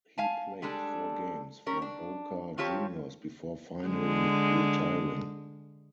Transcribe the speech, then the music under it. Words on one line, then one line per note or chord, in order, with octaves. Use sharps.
He played four games for Boca Juniors before finally retiring.
F5 G#5 A5
G3 G#3 D4 A4
G3 C#4 A#4
D4
D#3 C4 F4 G4 C#5 A5
D3 G#3